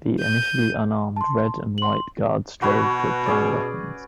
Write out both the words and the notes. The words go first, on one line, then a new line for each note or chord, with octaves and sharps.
The initially unarmed Red and White Guards strove to obtain weapons.
G6 D#7
A5 C6
C6 F#7
B2 F#4 B4 C#5
C#4 G#4 D5